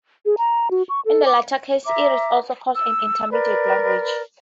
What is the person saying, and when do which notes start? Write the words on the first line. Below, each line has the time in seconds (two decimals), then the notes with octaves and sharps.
In the latter case it is also called an "intermediate language".
0.26 G#4
0.38 A#5
0.71 F#4
0.89 C#6
1.06 A4
1.26 D6
1.85 E5 A#5 D6
2.74 E6
3.31 A#4 B4 D5